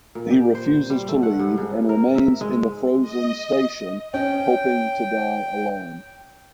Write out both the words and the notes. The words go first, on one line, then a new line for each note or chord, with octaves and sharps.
He refuses to leave and remains in the frozen station hoping to die alone.
A#2
G4
C5
G3
A3
F#5
G2
G#2
A#4
E5
G#3
D#5
C#4 G5